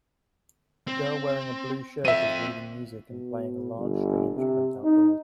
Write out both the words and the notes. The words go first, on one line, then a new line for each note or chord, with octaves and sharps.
A girl wearing a blue shirt is reading music and playing a large string instrument outdoors.
C4
C4 F4 E5 D#7
B2
G1
C3
D#4